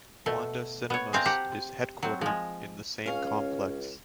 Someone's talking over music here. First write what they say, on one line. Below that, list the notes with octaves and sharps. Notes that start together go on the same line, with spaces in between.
Wanda Cinemas is headquartered in the same complex.
B2 A3
B3 C#5
G#3 C4 F5 A#5
C4 G4 C5 F#5 A5 A#5
F#3 C4
F3 G#3
C#2 C#4 F5